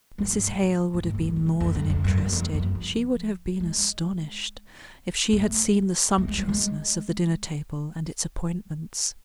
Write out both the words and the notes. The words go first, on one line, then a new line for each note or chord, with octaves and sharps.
Mrs. Hale would have been more than interested,--she would have been astonished, if she had seen the sumptuousness of the dinner-table and its appointments.
F#2
G#2
A2
A2
G#2
A2
F#2
G#2
D3
F2
F#2
F2
F#2
F#2
F2
F#2
F3
G#3
A3
A3
G#3
F#3
G#3